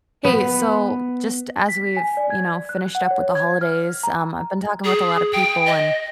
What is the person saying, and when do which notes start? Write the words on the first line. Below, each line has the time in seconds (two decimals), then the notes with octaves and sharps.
Hey, so just as we've, you know, finished up with the holidays, um, I've been talking with a lot of people and
0.25 B3
1.69 B6
1.97 G#5
2.17 D5
2.30 G#6
2.69 F#6
2.95 F#5
3.11 C#5
3.35 G#6
3.61 F6
4.03 A#5
4.84 G#4
5.32 G5
5.66 D#5